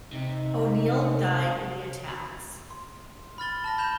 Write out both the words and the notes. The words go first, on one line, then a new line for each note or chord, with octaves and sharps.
O'Neill died in the attacks.
C3 D#4
C6
B5 F6 A6 G7
A5 F6 A#6
B5 G6 E7 F7 G7